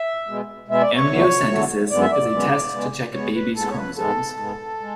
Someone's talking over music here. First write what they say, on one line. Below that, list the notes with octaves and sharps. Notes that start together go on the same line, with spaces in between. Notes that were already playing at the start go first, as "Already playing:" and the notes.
Amniocentesis is a test to check a baby's chromosomes.
Already playing: E5
B2 G#3 B3
B2 G#3 B3 E5
D5
C#5
E2 D3 F#3 A3
E2 D3 F#3 A3
F#2 D3 G#3 B3 D5
E5
D5
F#2 D3 G#3 B3
B2 G#3 B3
B2 G#3 B3 C#5
B4
G#2 G#3 B3 A4
C#5
B4
G#2 G#3 B3 A4
G#2 G#3 B3
G#3